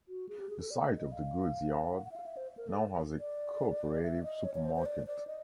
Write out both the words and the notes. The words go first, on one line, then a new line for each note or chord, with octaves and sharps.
The site of the goods yard now has a Co-operative supermarket.
F#4
G#4
G4
G#4
A4
D5
D#5
D#5
F5
F#5
F#5
E5
F5
E5
C5
A#4
A4
D5
E5
D#5
C#5
C#5
C5
C5
D5
D5
D#5